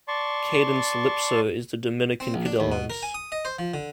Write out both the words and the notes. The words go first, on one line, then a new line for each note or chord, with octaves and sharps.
Cadence-lypso is the Dominican kadans.
D5 A5 C6 C#6
C4
A#1
D4
D#2
B2
A#4
G#5
D#6
D#5
C5
F3
D3